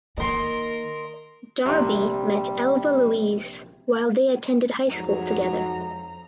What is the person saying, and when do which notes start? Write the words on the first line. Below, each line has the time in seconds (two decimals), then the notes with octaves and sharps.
Darby met Elva Louise while they attended high school together.
0.17 D#3 A#3 A#4 D#5 C6
1.66 A#1 C3 G3
4.90 F2 G#2 F#3 A#5